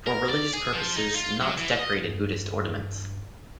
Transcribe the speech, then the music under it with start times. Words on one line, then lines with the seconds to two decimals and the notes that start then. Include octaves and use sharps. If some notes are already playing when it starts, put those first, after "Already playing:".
For religious purposes knots decorated Buddhist ornaments.
0.07 A#4
0.29 D5
0.53 G#4
0.73 F3
0.96 D#4
1.16 F4
1.41 F#3
1.58 E3
1.79 D#5
2.04 G2